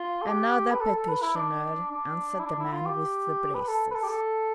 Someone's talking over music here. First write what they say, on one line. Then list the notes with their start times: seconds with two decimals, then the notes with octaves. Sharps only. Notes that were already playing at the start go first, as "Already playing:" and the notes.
"Another petitioner," answered the man with the braces.
Already playing: F4
0.22 A4
0.27 G4
0.71 B4
0.81 A4
0.95 A4
1.09 B4
1.22 E4
1.36 D4
1.91 D4
2.40 E4
2.46 D4
2.59 E4
2.73 F4
2.86 G4
3.55 B4
3.68 A4
3.91 B4
3.95 A4
4.03 G4
4.09 A4